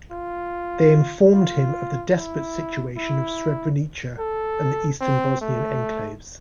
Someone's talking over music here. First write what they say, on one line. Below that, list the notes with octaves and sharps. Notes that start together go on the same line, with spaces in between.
They informed him of the desperate situation of Srebrenica and the eastern Bosnian enclaves.
F4
F4
E4
E4
A4
C4
A3